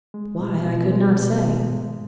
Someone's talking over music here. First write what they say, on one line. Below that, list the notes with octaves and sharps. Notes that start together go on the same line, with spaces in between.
Why, I could not say.
G#3
B2
B2
G#3
B2
G#3
G#2